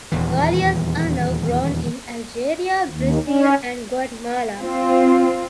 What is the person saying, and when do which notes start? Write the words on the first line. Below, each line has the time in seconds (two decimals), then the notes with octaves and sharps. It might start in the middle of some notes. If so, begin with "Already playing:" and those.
Galias are now grown in Algeria, Brazil, Guatemala.
0.12 D#1 E2 E3
2.90 D#2
3.28 C#4
4.60 C4 F4